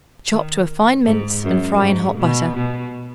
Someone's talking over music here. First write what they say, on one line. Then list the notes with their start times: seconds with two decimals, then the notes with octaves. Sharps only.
Chop to a fine mince and fry in hot butter.
0.31 D#3
1.06 G#2
1.44 F#2
1.81 G#2
2.18 B2
2.56 B2